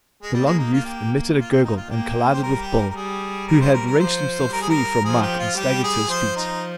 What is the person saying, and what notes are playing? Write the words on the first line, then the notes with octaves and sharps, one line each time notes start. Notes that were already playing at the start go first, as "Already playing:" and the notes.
The long youth emitted a gurgle, and collided with Bill, who had wrenched himself free from Mike and staggered to his feet.
G#3
G3 A#3
G#3
D#4
F4
G4
F4
G4
D#4
F4
A#3 G4
C5
G3 A#4
G4
A#4
A#4
G3 G#4
A#4
C5
A#4
A#4
F3 C5
G3 A#4
G#4
A#4
F3 G#4
G4
F4
G3 G4
G#4
F3 C5
D#4